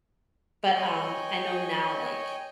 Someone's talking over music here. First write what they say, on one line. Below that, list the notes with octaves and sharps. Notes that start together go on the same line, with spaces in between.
but, um, I know now, like
C#5 D#5 G5 G#5